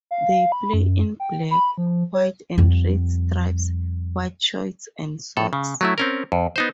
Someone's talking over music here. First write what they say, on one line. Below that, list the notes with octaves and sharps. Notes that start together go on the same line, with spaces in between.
They play in black, white and red stripes, white shorts and socks.
F5
B5
F#2
G5
B5
F3
C#5
F2 G3
A2 A4
C#3
F#3 A3 E4
C4 C#4 A#4
F2
B3 D#4 C5